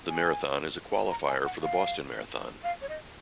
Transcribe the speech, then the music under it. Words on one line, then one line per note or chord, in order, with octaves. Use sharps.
The Marathon is a qualifier for the Boston Maraton.
G#5
A#5
G#5
F#5
F5
F5
C#5
D#5